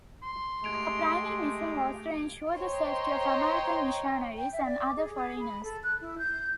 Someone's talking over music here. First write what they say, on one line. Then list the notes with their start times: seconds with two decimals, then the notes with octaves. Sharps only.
Her primary mission was to ensure the safety of American missionaries and other foreigners.
0.23 C6
0.64 G#3 A3 G4 G#6 D7 F7
2.52 C5 C#5 D#5 G5 A#5 C6
4.37 G5
4.53 E5
4.65 D5
4.83 D6
4.97 G#4
5.14 G#4
5.40 B5
5.64 A4
5.83 F#6
6.01 E4
6.18 G6